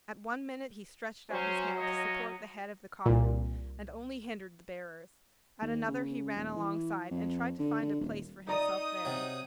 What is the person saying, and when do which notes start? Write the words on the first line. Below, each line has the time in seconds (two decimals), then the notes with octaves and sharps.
At one minute he stretched out his hand to support the head of the coffin and only hindered the bearers, at another he ran alongside and tried to find a place for himself there.
1.30 F#3 C#4 C5
1.77 D#2 C#5 D#5
3.06 C2 A#2
5.61 D#2
5.88 C#3
6.36 D#1
6.56 E3
7.11 F2
7.59 D3
7.83 D3
8.00 D#1
8.49 D#4 D5 A#5 D#6
9.05 C3 F#3